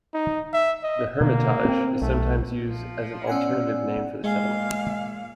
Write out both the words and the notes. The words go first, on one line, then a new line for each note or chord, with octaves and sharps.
The Hermitage is sometimes used as an alternative name for the settlement.
D#4
E5
D#5
B2 D3 A#3
B3 C4
B1 A3
F3
B3 C#4 D5 F#5 G#5 E6
A#2 G#3 D#5 F5 G5 G#5